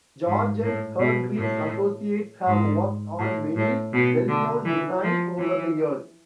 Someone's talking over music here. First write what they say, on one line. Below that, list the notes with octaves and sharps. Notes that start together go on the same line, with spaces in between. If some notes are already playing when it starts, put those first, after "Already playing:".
George and Hargreaves Associates have worked on many well known designs over the years.
G#2
A2
B2
A2
G#2
A2
A2
B2
D3
E3
F3
E3